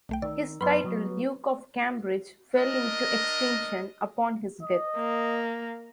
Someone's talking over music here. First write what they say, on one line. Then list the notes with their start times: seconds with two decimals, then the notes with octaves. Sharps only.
His title, 'Duke of Cambridge', fell into extinction upon his death.
0.09 B1 A3 G5
0.22 D#3 D5 E6
0.61 F#2 B3 B4 D#5 B5 C6
0.84 F#3 B3
2.57 D4 A#4 D#5
4.63 D#5
4.96 A#3